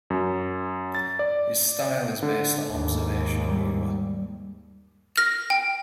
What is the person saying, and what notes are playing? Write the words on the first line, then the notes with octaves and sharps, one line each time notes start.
His style is based on observational humour.
F#2
A6
D5
D3
D#2 G#2
G3
F6 A#6
G5